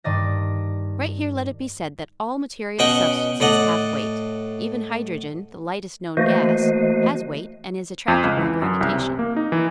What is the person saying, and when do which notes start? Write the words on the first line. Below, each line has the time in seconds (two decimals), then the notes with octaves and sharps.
Right here let it be said that all material substances have weight; even hydrogen, the lightest known gas, has weight, and is attracted by gravitation.
0.04 G2 D#3 D5 D#5
2.79 B2 C#4 D#5 F#5 G5 C#6
3.40 A2 D5 D#5 F#5
6.17 E3 A3 A#3 F#4 C5 D#5
8.08 F2
8.24 C#2
8.37 E3
8.62 F#2
8.81 C2
8.93 C3
9.19 A#3
9.37 D#4
9.52 E3